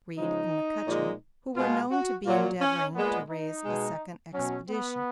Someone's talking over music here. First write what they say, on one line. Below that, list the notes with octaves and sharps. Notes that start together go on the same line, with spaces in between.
Reed and McCutchen, who were known to be endeavoring to raise a second expedition.
C#3 F3 G#3 D#4
A#2 F3 G#3
B2 G#3 F4
F#4
A#2 F#3 F4
C#4
A#2 G#3 B3
D#4
B2 G#3
B2 F#3 C#4
B3